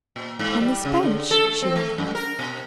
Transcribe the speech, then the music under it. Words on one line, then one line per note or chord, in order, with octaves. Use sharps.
"On this bench?" she went on.
A#2
G#2
G3
C#3
D3
A4
A3
C4
A3
F#2
A#4
B2